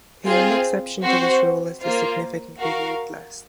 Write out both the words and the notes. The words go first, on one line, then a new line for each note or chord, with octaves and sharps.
The only exception to this rule is the "significantly viewed" list.
C4 F4 G#4 C5
C4 F#4 C5
A#3 F4 C5
F#4 A#4 F5